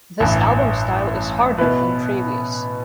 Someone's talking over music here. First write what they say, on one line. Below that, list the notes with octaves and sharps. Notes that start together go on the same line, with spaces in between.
This album style is harder than previous.
A1 G2 E3
B2 B3 E4 B4